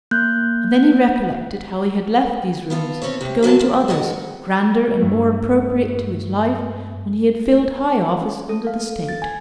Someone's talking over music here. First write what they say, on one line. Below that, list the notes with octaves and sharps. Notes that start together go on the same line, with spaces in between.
And then he recollected how he had left these rooms to go into others, grander and more appropriate to his life when he had filled high office under the State.
A#3 F#6 G6
B3 F4 A4
C4 C#4 A4 C#5
C3 G4
C#3 F#3 C4 A5
F3
F2 D#3 G#3 F#5
G2 A3
C#4
A4
F5
A6
G#5